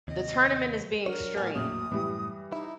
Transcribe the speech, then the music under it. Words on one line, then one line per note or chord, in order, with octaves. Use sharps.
the tournament is being streamed
D#2 C3 D#5
F#3 D4 A#4 C#5
A2 B3 G#5 F6
A#1 F2 A2 F#3 D#6
F#2 A2 E3 G3
D#4 E4